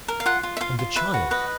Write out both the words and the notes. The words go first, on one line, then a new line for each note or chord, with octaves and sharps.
And the child?
A#4
F5
F4 F#5
F4
E5
F4 F5
F4
B4 E5
F#4
B4 D#5